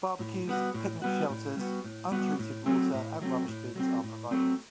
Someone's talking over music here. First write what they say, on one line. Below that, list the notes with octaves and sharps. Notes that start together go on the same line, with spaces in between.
Barbeques, picnic shelters, untreated water and rubbish bins are provided.
A2
G3 B3 F#4
A2
G3 B3 F#4
A2
G3 B3 F#4
A2
G3 B3 F#4
A2
F#3 A3 C4
A2
F#3 A3 C4
A2
F#3 A3 C4
A2
F#3 A3 C4